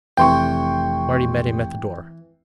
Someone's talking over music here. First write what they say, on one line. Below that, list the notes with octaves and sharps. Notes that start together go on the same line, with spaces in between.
Marty met him at the door.
F1 E3 G5 C6 C#6